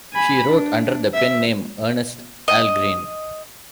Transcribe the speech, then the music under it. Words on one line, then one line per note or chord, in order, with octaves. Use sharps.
She wrote under the pen name Ernst Ahlgren.
G#5 B5
D4
E5
D#5